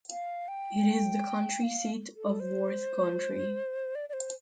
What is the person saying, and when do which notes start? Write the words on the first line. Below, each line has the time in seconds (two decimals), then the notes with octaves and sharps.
It is the county seat of Worth County.
0.10 F5
0.48 G5
1.63 F5
2.15 A4
2.40 C5
3.95 D5
4.09 D5
4.13 C5